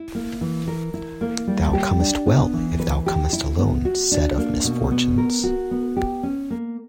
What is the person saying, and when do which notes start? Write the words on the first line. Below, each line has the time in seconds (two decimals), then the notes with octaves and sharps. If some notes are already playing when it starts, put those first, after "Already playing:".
Thou comest well, if thou comest alone said of misfortunes.
Already playing: E4
0.15 A#3
0.41 E3
0.68 A#4
0.94 E4
1.21 A#3
1.47 G3
1.73 G4
2.00 D4
2.26 B3
2.53 E3
2.80 B4
3.06 G4
3.33 E4
3.58 B3
3.85 F#4
4.12 D4
4.38 A#3
4.64 B2
4.91 B3
5.18 A#4
5.44 F#4
5.71 B3
5.97 G4
6.23 C#4
6.50 A#3